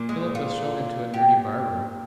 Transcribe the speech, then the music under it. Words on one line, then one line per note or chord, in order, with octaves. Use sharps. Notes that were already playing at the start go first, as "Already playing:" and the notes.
Philip was shown into a dirty bar-room.
Already playing: A#2 A#3
G#3
F4
G4